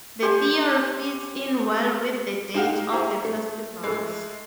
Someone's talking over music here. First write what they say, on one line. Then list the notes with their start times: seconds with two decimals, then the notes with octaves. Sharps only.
The theory fits in well with the dates of the festivals.
0.22 G4 C5 G#5
2.54 G#3 D#4 G4 F5 F#5
2.91 E4 G4 G#4 C5 A#5
3.25 A3
3.84 G#3 A3